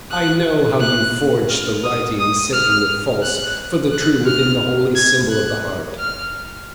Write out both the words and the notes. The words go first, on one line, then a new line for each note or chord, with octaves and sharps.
I know how you forged the writing, setting the false for the true within the holy symbol of the Heart.
F#6
F#6
F6
D#6
D#6
F6
F#6
F#6
F6
G#6
F#6
F6